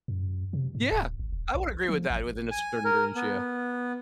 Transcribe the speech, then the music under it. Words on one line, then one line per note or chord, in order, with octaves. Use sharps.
Yeah. I would agree with that within a certain range. Yeah.
F#2
C3
G#2
D1
G#1
D#1
A#1
F3
G#1
G#5
A#4
B3